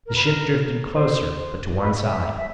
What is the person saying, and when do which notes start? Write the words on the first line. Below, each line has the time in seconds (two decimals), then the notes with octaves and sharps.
The ship drifted closer, but to one side.
0.06 A#4
0.15 B4
0.24 A#4
0.93 C5
1.79 B4
2.08 E5
2.36 E5